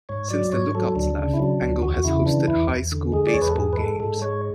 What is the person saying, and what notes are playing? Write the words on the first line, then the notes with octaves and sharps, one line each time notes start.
Since the Lookouts left, Engel has hosted high school baseball games.
G#2 C#5
F#3 D5
G#2 C#5
F#3 A4
D2 D4
C#3
E4
F#3 D4
D2
E2 F#4
F#4
C#3 E4
E3 D4
E2 E4
E2
D3
G#3 G#4
D5
E2 C#5
B4
A4
G#2 G#4
B4
G#3 A4
G#2 A4
G#3 C#5